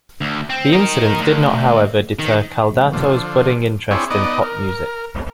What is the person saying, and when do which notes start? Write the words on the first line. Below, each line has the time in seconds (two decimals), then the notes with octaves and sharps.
The incident did not however deter Caldato's budding interest in pop music.
0.21 D2
0.50 C4
0.72 D#4 A#4
1.20 D2
2.19 D#3
2.93 D3 F3
3.91 C4 D4 E4 G#4 C#5
4.10 B3 D#4 D5 D#5
4.41 A#4